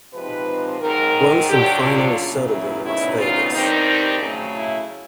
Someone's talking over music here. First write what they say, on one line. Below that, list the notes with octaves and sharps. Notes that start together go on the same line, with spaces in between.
Brunson finally settled in Las Vegas.
C3 F3 G#3 C4 D#4 B4
G#2 D#3 F#3 A#4
G2 D3 F#3 G4
F4
E2 C#3 F#3 A#3
E4
D2 C#3 F#3 B3 D#4 E4
F4
G2 D#3 G3 C4 D#4
C#3 F#3 A3
E4